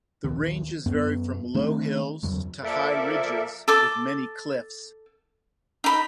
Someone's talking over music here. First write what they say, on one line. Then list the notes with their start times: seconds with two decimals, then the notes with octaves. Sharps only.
The ranges vary from low hills to high ridges with many cliffs.
0.24 D#1 A#1 D#3
0.86 F#2 B3
1.54 D#3 A3 C4 D4
2.23 F#1 E2 F#3
2.63 F3 A#3 A4 A#4 D5 E5
3.68 A4 D6
5.84 D#4 B5